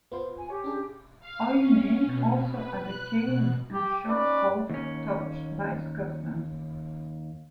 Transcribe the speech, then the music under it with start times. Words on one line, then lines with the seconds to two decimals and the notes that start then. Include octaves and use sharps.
Oyne also has a cade and shop called touched by Scotland.
0.12 B3 F4 C5
0.38 G#5
0.50 G4 C#5
0.64 C#4 D4 G#4
1.20 F5
1.58 C#4
2.05 B2
2.52 B4
2.83 F#6
3.25 B2
3.72 G4
4.09 C#4 D#4 B4 C#5 D5
4.70 D#2 C#4